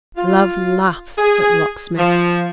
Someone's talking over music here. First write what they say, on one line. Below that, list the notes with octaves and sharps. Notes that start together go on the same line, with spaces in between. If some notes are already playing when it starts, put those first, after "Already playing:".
Love laughs at locksmiths.
F4
G#4
F3